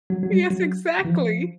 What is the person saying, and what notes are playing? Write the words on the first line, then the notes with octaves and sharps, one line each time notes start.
Yes, exactly.
F#3
F#3
G3
F#3
E3
F3